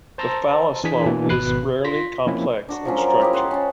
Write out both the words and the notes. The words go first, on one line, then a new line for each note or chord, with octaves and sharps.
The phallosome is rarely complex in structure.
C5 A5 A#5 C6 E6 A#6
E3 D4 G#4 G#5 B6
B2 E3 A#3 D4
G#1 B2 B4 F#6 C7
F4 C6 A#6 B6
F3 A#3 C4 C#4 E4
D4 F#4 C#6
F3 F#3 C#4
A#4
E4 G4 A#4 D#5
C5 F#5 A5 C6
C#4 A5